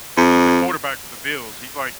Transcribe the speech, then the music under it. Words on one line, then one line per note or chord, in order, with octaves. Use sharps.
He's the quarterback for the Bills. He's, like
F2